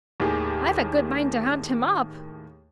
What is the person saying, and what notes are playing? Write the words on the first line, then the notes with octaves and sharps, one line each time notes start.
"I've a good mind to hunt him up."
D#2 A2 D#3 G4 G#4